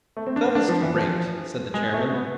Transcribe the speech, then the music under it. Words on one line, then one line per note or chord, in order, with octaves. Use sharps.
'First-rate!' said the Chairman.
A3
C4
D4
C4
D4
F3
E3
F3
G#3
A3
B3